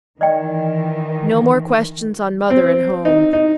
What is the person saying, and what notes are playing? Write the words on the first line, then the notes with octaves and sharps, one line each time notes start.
No more questions on mother and home!
D#3 E3 D5 D#5 G5
C4
D#4
D#4